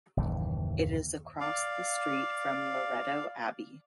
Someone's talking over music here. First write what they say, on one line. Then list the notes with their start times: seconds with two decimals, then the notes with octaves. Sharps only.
It is across the street from Loreto Abbey.
0.17 F#1 D#2 A2 E3
1.40 D5 F5